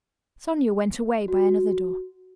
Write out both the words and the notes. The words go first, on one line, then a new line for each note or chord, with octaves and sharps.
Sonya went away by another door.
F#4